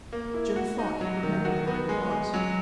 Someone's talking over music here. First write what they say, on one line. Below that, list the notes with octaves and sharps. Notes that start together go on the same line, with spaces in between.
Jim thought he remembered where he was.
A#3
E4
F#4
D#4
F#3
D#3
F#4
B3
G#3
G#3
F#3